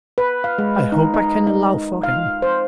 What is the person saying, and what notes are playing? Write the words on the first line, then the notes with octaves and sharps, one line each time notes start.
I hope I can allow for him.
B4
F5
G#3
D#4
D#4
D#4
F5
C5